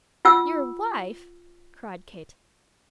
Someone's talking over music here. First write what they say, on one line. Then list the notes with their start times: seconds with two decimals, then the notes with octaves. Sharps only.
"Your wife!" cried Kate.
0.25 F4 F#5 E6